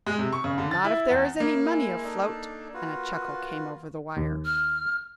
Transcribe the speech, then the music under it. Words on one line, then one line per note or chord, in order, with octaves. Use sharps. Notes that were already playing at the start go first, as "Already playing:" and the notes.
"Not if there is any money afloat," and a chuckle came over the wire.
G#3
C3
C#6
C#3
D3
A6
E4
E2
A#3 D#4 E4
G#3 E4
D4 D#4 A4
F4 F#4 B4
D#2
F6